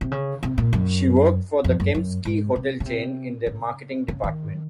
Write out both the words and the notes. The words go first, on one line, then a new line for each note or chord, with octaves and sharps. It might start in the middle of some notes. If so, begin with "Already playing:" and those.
She worked for the Kempinski hotel chain in their marketing department.
C3
C#3
C3
A#2
F#2
F2
F#2
F#2
G#2
C3
C#3
C3
C#3
C#3
D#3